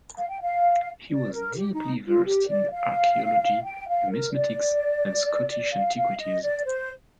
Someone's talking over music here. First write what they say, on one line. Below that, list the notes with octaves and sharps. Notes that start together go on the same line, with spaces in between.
He was deeply versed in archeology, numismatics and Scottish antiquities.
F5
G5
F5
D5
A#4
G4
D#4
F4
G4
D5
F5
G5
F5
A#4
D5
F5
F5
D#5
D5
C5